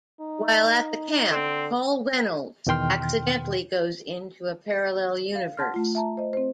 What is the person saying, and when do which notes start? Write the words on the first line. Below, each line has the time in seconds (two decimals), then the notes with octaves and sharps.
While at the camp, Paul Reynolds accidentally goes into a parallel universe.
0.21 D#4
1.30 D3 C4
2.67 E2 B2 D#3 G5 C6 F6
5.35 F5
5.57 F#5 A5 C6 F6
5.74 A3 F4
5.95 E5 A5 A#5
6.17 C5 D#5
6.33 C4 C5